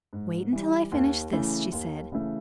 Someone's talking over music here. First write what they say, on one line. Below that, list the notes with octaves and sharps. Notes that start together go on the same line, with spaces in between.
"Wait until I finish this," she said.
G#2
E3 G3
D#2
C#3 E3 A3
D#2
C#3 E3 A3